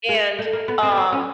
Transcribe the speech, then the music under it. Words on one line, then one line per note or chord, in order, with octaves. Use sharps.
and, um,
G#3
A3
A#3
B3
C4
B3
C4
C#4